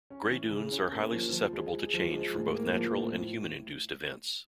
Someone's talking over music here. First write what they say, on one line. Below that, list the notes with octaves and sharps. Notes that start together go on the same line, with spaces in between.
Grey dunes are highly susceptible to change from both natural and human-induced events.
C#4
E3
C#3
C#4
A#3
F3
F3
G#3
G#3
F3
G#3
A2
A#3
F3
A2